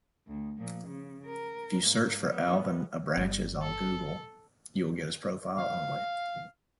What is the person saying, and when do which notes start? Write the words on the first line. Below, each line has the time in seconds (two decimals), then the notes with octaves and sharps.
If you search for Alvyn Abranches on Google, you will get his profile only.
0.27 D2
0.58 A#2 F3
0.87 C#3
1.27 A#4
1.81 G#2 A#3
2.26 F3 B3
3.17 G1 G3
3.62 A4
5.58 F5